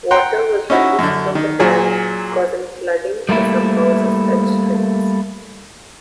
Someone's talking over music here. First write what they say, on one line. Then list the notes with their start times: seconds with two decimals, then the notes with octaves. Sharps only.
Water was released from the dam causing flooding to some houses and streets.
0.11 F#5 G5 A#5 C6
0.70 C#4 D#4 E4 F#4
0.99 F#2 D3
1.35 D#3
1.60 A#2 F#3 G#4
3.29 G3 A3 A#3 E4